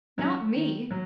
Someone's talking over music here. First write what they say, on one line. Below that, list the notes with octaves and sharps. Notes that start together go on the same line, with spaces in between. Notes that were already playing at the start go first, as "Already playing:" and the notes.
Not me!
F#3 C#4
D#3
F#3